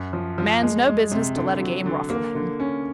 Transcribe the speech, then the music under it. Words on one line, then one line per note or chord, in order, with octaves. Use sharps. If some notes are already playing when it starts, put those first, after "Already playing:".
"A man's no business to let a game ruffle him."
Already playing: F#2
F3
F3
G#3
G#3
C3
D3
F#3
D3
A#3
D3
C#4